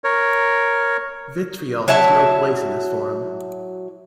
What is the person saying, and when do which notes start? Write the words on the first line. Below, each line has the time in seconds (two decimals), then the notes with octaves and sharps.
Vitriol has no place in this forum.
0.04 A#4 C#5
1.88 F#3 E4 E5 A5